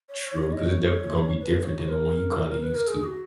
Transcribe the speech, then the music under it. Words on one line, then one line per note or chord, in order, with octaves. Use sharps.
True, 'cause it definitely gonna be different than the one you kinda used to.
C#5
C#5
C#5
D#5
C#5
B4
C#5
A#4
B4
A#4
G#4
F#4